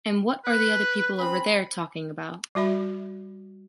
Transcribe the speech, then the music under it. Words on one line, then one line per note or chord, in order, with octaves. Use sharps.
And what are the people over there talking about?
B4
C4 C#4 B5
G3 F#4 E5 B5